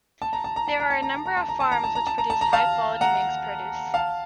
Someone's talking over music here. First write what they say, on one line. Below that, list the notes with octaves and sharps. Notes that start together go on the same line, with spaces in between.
There are a number of farms which produce high quality Manx produce.
A5
A#5
A5
A#5
A5
A#5
A5
A#5
A5
A#5
A5
A#5
A5
A#5
A5
A#5
A5
A#5
A5
A#5
F5 A5
F#5 A#5
F5 A5